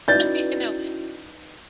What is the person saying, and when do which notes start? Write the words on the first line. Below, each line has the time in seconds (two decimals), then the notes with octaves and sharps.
you know,
0.08 C#4 D#4 E4 F#4 B4 D5 G6 A6